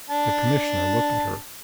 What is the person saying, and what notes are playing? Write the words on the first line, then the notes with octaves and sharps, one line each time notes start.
The Commissioner looked at her.
D4 A5